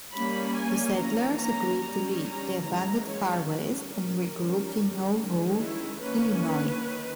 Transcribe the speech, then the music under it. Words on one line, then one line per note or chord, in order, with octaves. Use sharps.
The settlers agreed to leave; they abandoned Far West and regrouped in Nauvoo, Illinois.
G3 A#3 C#4 B5
G#5
E3 A#3 C#4 A#5
A#5
G3 C#4 A#5
A#5
E3 G#3 C#4 A#5
C#5
G3 C#4 B4
A#4
D#3 G3 C#4
D#3 G#3 C#4
E4
D#3 A#3 C#4 B4
B4
D#3